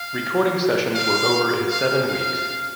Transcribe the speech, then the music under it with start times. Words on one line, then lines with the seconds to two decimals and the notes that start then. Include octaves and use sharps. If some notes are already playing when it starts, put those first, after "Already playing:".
Recording sessions were over in seven weeks.
Already playing: F5
0.95 F5
1.71 F5
2.09 F5